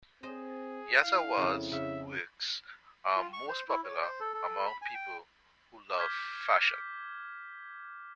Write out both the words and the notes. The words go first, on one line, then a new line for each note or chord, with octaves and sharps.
Yazawa's works are most popular among people who love fashion.
C4 G#4 C5 D#5
E4 F5
F2 C#3
C#3 E5
F4
C#6
C5
E4
C#5
C5
A4
A4
B5
G#5
G5
D6 F6 G6 G#6 B6